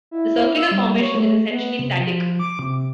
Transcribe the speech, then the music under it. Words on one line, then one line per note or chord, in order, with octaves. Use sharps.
The circular formation is essentially static.
E4
E6
G3
C#5
A3
B3
C3
F3
D6
C3